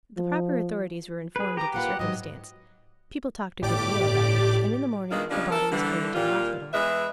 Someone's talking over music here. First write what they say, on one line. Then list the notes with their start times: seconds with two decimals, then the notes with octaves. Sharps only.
The proper authorities were informed of the circumstance, people talked a good deal about it, and in the morning the body was carried to the hospital.
0.17 F3
1.36 G#4 B4
1.57 G4 A#5 D6
1.74 A#3 F4 B4 F#5
1.99 G#2 F#3 D#5
3.61 G1 A2 G4 D5 D6
5.11 B2 D#3 G#3 A#3 D4 F4
5.31 C#3 F3 G3 G#3 B3 D4
5.51 A4 A#4
5.72 D3 E3 G3
6.15 A#2 G3 F4
6.74 E2 E3 G#3 B4 E5